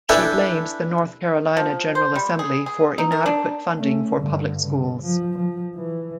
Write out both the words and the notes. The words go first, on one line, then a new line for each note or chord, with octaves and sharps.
She blames the North Carolina General Assembly for inadequate funding for public schools.
D4 E4 A4 B4 G5 G#5
F3
C5
G3
G#4
G#4
D#4
A#4
D4
A3 C#4
G2 D3
C#3
F3
F3
E3